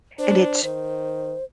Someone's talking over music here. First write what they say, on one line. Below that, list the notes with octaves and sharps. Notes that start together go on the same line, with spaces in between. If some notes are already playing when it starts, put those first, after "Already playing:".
and it's
D4 C5
D#3 C5